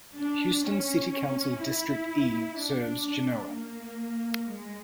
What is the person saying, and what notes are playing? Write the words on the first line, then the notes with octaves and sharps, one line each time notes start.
Houston City Council District E serves Genoa.
D4
C#4
E4
D4
D4
A#3
G#3